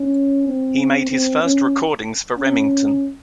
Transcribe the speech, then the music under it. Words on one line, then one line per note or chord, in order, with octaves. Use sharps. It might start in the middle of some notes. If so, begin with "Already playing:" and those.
He made his first recordings for Remington.
Already playing: C#4
C4
C4
C#4
C#4